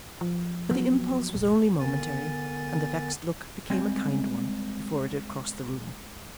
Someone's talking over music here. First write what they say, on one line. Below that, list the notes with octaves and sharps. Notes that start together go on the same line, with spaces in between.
But the impulse was only momentary, and the vexed look became a kind one before it had crossed the room.
F3
F3 F#3 B3
F1 A#1
D3 B3 A#4 G#5 A6
G3 G#3 C4